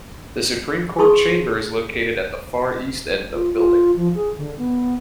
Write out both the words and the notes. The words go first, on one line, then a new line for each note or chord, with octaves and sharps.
The Supreme Court chamber is located at the far east end of building.
G#4 A5 C6 C#6 D#6
F4
F4
F3
G#4
D3
B3